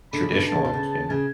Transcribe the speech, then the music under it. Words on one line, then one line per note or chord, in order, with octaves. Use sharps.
traditional, almost, yeah.
D3 B5
C#3
B2 D3
D3 A5
C#3
B2
C#3
C#3 G#5